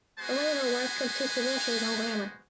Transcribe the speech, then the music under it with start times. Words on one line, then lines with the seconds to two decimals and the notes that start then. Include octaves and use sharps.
The latter work consists of essays on grammar.
0.19 G#3 B3 F#4 B4 C5 G#5